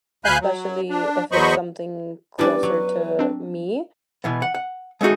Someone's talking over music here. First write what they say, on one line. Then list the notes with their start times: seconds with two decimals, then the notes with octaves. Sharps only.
especially if it's something closer to me
0.25 D2 F5 G#5 B5 F#6 G6
0.41 F#3
0.90 D4
1.32 E2 F#3 C5 D#5 B5 C#6
2.39 G3 B3 C#4 D4 E4 B4
2.63 F#3
3.19 C4 D4
4.24 B2 E3 B3
4.42 F#5
4.55 F#5
5.01 G#3 A3 D#4 F#4 G#4